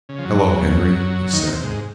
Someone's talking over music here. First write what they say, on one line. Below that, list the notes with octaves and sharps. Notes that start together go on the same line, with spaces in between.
"Hello, Henry," he said.
C#3
F3
F#2 F#3
D#2 D#3
C3
G#2